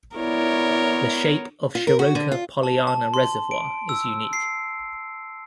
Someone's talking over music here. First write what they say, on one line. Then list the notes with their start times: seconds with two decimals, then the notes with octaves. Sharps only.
The shape of Shiroka Poliana reservoir is unique.
0.16 B3 E4 A#4 C#5 D5
1.75 F4
1.87 A#4
1.99 F#4
2.15 D3
2.32 F4
2.63 A5
2.87 A5
3.14 C6
3.51 D7
3.89 E6
4.33 C7